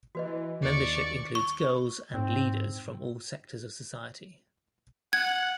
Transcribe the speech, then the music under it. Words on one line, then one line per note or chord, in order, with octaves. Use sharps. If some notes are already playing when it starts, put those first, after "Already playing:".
Membership includes girls and leaders from all sectors of society.
E3 F#4 B4 D#5
D#2 D5 C#6
C#6
G#2 C4
F#5 G#6